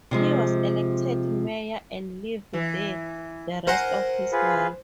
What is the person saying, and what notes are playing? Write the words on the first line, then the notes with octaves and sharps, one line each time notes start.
He was elected mayor and lived there the rest of his life.
C3 F3 G#3
E3
A#4 C5 F#5 G#5
F4 G#4 B4